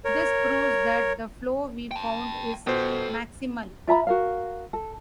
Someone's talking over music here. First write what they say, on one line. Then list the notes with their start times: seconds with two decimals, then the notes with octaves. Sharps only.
This proves that the flow we found is maximal.
0.05 A#4 C#5
1.91 G5 A5
2.67 B2 A4 C5 G5
3.88 F4 E5 A#5 B5
4.07 F#4 A#4 F5
4.73 A4